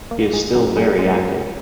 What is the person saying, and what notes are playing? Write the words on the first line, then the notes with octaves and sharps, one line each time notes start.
He is still very active.
A#3
G#3
F#2 F#3
G#3
F#2 G#3